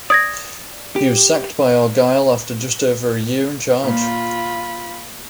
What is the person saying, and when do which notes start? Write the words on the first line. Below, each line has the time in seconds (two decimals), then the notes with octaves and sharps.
He was sacked by Argyle after just over a year in charge.
0.10 D5 D#6 G#6 A#6
0.96 G4
3.84 A#2 F4 B5